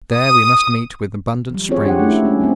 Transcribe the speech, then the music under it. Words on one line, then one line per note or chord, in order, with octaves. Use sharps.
There we must meet with abundant springs.
D#6
F3 G3
C4 C#4 F4 G#4 C#5
D4 G4 G#4 F#5
A3 C#4 D4 E4
G#3 C#4 D4
G3 B3 C4